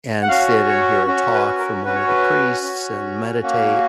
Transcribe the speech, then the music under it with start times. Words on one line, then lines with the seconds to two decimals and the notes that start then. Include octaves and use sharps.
and sit and hear a talk from one of the priests and meditate.
0.23 F#5
0.28 C#4 F#4 F5
0.68 C#5
1.07 C#4 F#4
1.34 B4
1.59 A#4
1.85 C#4 F#4 B4
1.95 C#5
2.07 B4
2.63 C#4 F#4
3.42 A#3 C#4 F#4